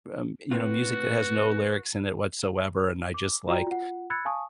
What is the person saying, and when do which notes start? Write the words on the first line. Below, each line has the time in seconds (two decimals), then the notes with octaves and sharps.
um, you know, music that has no lyrics in it whatsoever, and I just, like,
0.51 A2 C3 F4 F#4 B4
3.14 D6
3.48 F4 F#4 D5 G5 A#5
3.67 F4 F#5
4.10 B5 E6 F#6 G#6 A6 C#7
4.25 F5 G#5 A5 C#6 D#6